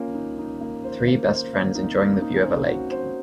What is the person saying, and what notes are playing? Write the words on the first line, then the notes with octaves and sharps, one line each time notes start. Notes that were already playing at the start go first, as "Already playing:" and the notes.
Three best friends enjoying the view of a lake.
Already playing: A#3 C#4 F4
D#4
D#4
A#3
C5
A#3
C5
A#3
C4 D#4
A#3
C#4
D#4
C#4
C5
F#4
C5